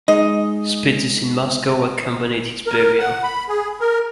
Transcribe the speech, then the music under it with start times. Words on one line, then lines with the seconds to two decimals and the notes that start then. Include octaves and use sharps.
Speeches in Moscow accompanied his burial.
0.08 G#3 D#4 D#5
2.67 A#4
2.99 F#5
3.23 B5
3.48 G#4
3.80 A#4